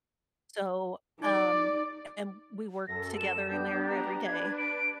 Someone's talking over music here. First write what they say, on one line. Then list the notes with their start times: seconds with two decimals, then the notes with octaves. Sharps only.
So um, a and we worked together in there every day.
1.20 D#4 D5
2.88 F#2 A4 A#6
3.18 E7
3.50 B3 D4 G4 G6
3.87 A#5
4.26 D4 B4 G#6
4.58 D7